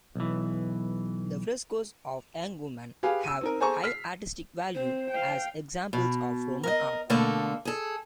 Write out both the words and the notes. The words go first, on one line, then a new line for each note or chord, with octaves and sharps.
The Frescos of young women have high artistic value as examples of Roman art.
B1 E3
G4 G#4 B4 F5
E6 D#7
C4 D#4 A#4
G#4 A4 C5 G#5 A#5 C#6
F6 B6 C7
C4 C5
F5 G5
B2
A#4 D#5
B2 D3 A3 A#3 A4
G#4 A4